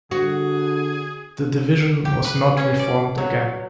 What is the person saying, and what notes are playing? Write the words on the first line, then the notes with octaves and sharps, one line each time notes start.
The division was not reformed again.
D3 F#4 G#4
G4
B4
C#4
D5
F#3